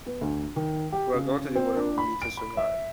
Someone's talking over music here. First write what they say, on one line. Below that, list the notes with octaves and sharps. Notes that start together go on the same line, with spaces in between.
We are going to do whatever we need to do to survive.
B3
D2
D#3
G4
C#3
C4
D4
B5
D7
B5
E5